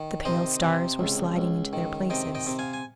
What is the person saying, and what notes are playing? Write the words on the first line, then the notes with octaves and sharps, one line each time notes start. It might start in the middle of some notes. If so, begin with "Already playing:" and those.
The pale stars were sliding into their places.
Already playing: D#3
C3 C5 D#5
C3
C#2
C#2
D#3
C3 D#5 G5
D#5 G5
C3
F5 G#5
G#5